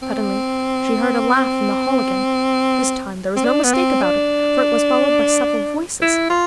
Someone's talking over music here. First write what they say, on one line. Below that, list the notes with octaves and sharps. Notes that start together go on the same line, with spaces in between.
Suddenly she heard a laugh in the hall again--this time there was no mistake about it, for it was followed by several voices.
C4
C4
D4
B3
C4
D4
E4
F4